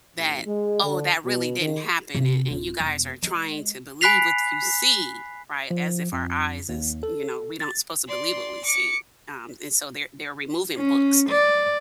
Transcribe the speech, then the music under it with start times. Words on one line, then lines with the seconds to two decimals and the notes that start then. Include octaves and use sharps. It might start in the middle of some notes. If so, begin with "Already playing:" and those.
that "Oh, that really didn't happen, and and you guys are trying to believe what you see," right, as if our eyes is you know, we don't supposed to believe what we see, um, and so they're they're removing books,
0.15 A1
0.47 G#3
0.83 D3
1.25 B2
1.60 D#3
2.14 C3
2.50 D1 F4
2.80 E1
3.23 G#3
4.01 G#5 B5 F#6 B6 C7 F7
5.70 F3
6.12 F2
6.69 D#2
7.03 A4
7.60 A6
8.08 D5 C6
8.64 D6 C#7
10.77 C#4
11.30 D5